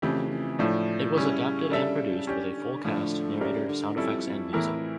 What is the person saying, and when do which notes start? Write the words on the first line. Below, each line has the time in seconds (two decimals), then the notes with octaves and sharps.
It was adapted and produced with a full cast, narrator, sound effects and music.
0.02 F2 C#3 E3 A3 E4 G4
0.30 F2
0.59 A2 F3 A3 D4
1.15 C#3 G3 C#4 E4
1.71 G3 D4 A4 E5
2.27 D3 C#4 G4 D5
2.57 D3
2.84 A2 D3 F3 A3
3.40 C#3 G3 D4 G4 A#4 E5
3.69 D3
3.96 F2 G3 C#4 E4 A4 D5
4.26 F2
4.53 E2 A2 E3 A3 E4 A#4
4.73 F2